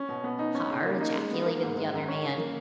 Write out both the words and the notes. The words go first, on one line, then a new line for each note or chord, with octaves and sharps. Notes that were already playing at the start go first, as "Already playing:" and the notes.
"Har!" ejaculated the other man.
Already playing: C#4
B2
B3
D#4
C#4
C#3
A#3
D#4
G#3
B3
A#3
G#2
G#3
F#2
C#4
C#3
A#3